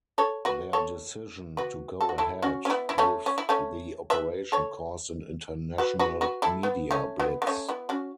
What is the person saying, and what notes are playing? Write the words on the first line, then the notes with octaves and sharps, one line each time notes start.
Their decision to go ahead with the operation caused an international media blitz.
A4 C#5
F#4 B4
A4 C#5
F#4 B4
A4
F#4
E4 A4
C#4 F#4
C#4
B3 E4
E4
A3 C#4
C#4
E4
A3 C#4
B4 E5
A4 C#5
F#4 B4
F#4 B4
F#4 B4
E4 A4
B3
A3 C#4
B3 E4
B3
A3 C#4
B3 E4
C#4 F#4